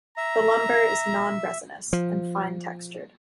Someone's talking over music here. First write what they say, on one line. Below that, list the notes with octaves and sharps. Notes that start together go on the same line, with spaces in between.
The lumber is non-resinous and fine textured.
E5 A#5
F3